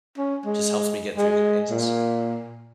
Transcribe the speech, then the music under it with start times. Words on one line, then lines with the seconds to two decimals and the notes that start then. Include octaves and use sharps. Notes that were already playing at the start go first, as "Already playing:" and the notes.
just helps me get through the days.
0.18 C#4
0.46 G#3
1.17 G#3
1.70 A#2